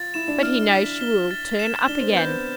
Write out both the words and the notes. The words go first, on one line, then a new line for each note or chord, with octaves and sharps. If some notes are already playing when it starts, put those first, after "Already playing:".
But he knows she will turn up again.
Already playing: F4 A6
E4 E7
D4
E4 F6
B6
G7
A6
E7
D4 G7
C4
B3 G6
C4